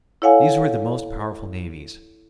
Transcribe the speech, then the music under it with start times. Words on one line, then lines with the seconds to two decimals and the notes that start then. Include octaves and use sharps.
These were the most powerful navies.
0.22 E4 A4 C#5 F5 F#5 G#5